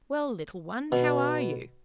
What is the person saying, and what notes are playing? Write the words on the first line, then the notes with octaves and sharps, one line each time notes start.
'Well, little one, how are you?
B2